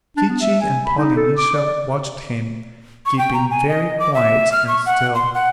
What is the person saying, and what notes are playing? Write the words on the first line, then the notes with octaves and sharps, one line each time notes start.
Chee-Chee and Polynesia watched him, keeping very quiet and still.
D4
B3
E5
G#5
B5
D#4
A4
D6
D5
D5
C#6
G5
A#5
G#5
D#5
D6
E5
F6
C#6
F#5
C6
F#5